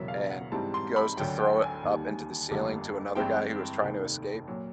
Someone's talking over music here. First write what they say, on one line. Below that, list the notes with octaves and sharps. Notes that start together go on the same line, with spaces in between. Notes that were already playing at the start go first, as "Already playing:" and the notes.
and goes to throw it up into the ceiling to another guy who was trying to escape,
Already playing: E1 E2 C#3 F#3 E5
F5
F#5
G#2 E3 G3 C4 A5
C6
B5
D2 D3 F#3 G5
G5
G#5
D#2 D#3 G3
G1 F2 D3 G3 A#3
G2 E3 G#3 C4 E4 G5
F1 D#2 D#3
A#2 F#3